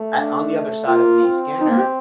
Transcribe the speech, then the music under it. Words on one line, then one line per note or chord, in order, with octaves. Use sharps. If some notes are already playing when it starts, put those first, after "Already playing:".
at on the other side of the scanner,
Already playing: A3
D4
A#3 F4
C4
D#4
A#3
G4